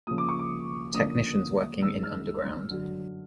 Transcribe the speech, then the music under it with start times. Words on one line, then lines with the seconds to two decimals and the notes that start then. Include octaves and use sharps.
Technicians working in underground.
0.07 C#3 F3 A#3 D#6
0.18 D6
0.29 C#6
0.39 D6
0.94 D3 F3 A#3 C#4 D#6
1.82 G2 D#3 G#3 E6
2.03 F6
2.69 F#2 D3 F#3